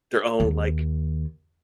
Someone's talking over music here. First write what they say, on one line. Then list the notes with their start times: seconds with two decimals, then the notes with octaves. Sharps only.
their own, like,
0.40 D#2